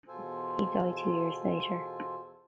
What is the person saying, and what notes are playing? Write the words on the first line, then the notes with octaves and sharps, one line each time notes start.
He died two years later.
E2 B2 F4 A4 C5 G#5